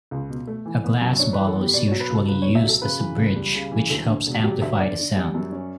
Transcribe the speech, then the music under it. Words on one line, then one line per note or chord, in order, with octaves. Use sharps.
A glass bottle is usually used as the bridge, which helps amplify the sound.
C#2
B2
A3
E3
B3
F#2
D4 C#5
E3 B4
A4
B3
G4
B2 D5
F#3 C#5
B4
C#2 A4
C#2 B4
B2 C#5
E5
F#3
A4
C#3 B4
E3
C#2
G3
C#3
E3
D2 A4
D3
E1
F#3 G4
D2 E5
D3 D5
D3
G3
F#2
C#4